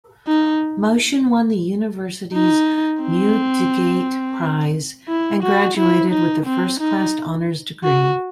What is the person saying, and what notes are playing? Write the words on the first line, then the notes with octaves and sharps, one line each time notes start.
Motion won the university's Newdigate Prize and graduated with a first class honours degree.
D#4
D#4
C4
E4
F#4
E4
D#4
C4
D#4
F#4